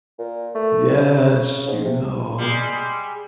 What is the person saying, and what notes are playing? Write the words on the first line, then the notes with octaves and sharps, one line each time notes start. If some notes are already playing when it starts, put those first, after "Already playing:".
Yes, you know ...
A#2
A3
C3
C#3
G#2
C3
G3 G#3